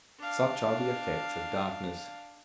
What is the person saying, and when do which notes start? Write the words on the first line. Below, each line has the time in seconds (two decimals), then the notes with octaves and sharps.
Such are the effects of darkness.
0.19 D4 F5